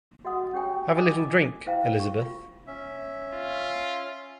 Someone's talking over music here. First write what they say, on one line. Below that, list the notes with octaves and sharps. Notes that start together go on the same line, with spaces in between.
Have a little drink, Elizabeth?
F#4 D#5 F#5 D#6
C#4 G4 C#5 G5 G#5
D#5 G#5 A#5 B5 D6 D#6
E4 C5 F5 G5 A#5
C#6
F4
C#4 E5
F4